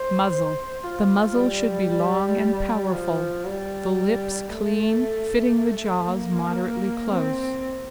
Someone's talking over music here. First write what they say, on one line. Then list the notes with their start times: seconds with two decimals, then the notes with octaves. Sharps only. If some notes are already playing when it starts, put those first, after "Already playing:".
MUZZLE--The muzzle should be long and powerful; the lips clean, fitting the jaws moderately close.
Already playing: C5
0.30 C5
0.83 F4
1.35 G3
2.92 F3
3.45 G3
4.49 A3
6.07 A#3
7.11 C4